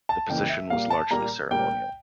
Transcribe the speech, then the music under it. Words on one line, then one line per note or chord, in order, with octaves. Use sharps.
The position was largely ceremonial.
A5
F2 C#3 E3 A#3 G5
E5
A#2 G3 A#3 F5
A5
A#2 G3 A#3 A#5
A#2 G3 A#3 G5